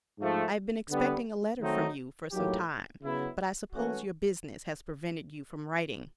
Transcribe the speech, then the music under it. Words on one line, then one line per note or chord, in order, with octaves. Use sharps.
I have been expecting a letter from you for some time but I suppose your business has prevented you from writing.
G#2 F3 A3
D3 G3 B3
D#3 F#3 A3 C4 D#4
A2 F#3 A#3 D#4 G4
C#3 F#3 B3 E4
E3 A3 C#4 F#4